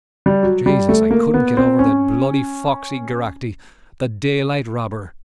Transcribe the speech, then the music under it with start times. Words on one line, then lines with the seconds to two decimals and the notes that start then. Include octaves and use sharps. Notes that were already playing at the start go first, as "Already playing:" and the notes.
Jesus, I couldn't get over that bloody foxy Geraghty, the daylight robber.
0.26 G3
0.43 F#3
0.66 G3
0.89 A3
1.11 A#3
1.34 B3
1.57 C4
1.79 C#4